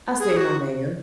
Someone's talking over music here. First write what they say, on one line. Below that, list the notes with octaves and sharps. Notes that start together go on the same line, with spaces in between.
I said, "No, ma'am."
G#4
F#4